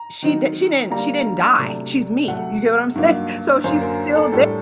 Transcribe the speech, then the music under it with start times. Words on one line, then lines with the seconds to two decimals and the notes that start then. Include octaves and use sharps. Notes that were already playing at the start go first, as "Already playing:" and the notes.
She d she didn't she didn't die. She's me. You get what I'm saying? So she's still there
Already playing: A#5
0.22 D#3 F#3 C4 D#4
0.91 D3 G3 A#3 D4 A#5
1.59 C3 F#3 A3 D4
2.27 C3 F#3 A3 F#5
2.95 G2 F#3 A#3 D#4
3.64 F#2 D3 F#3 A#3 C5
3.81 A#4
4.15 A4
4.32 A2 G3 D4 A4